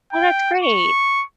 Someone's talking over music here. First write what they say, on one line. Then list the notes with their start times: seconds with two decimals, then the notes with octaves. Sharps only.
Well, that's great.
0.13 G5
0.63 C#6